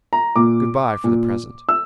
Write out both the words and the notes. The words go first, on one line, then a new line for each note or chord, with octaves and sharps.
Good-bye for the present!
A#5
A#2 D6
A#2
E6